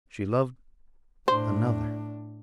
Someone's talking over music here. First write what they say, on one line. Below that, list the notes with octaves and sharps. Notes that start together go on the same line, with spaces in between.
She loved another.
A2 D4 C5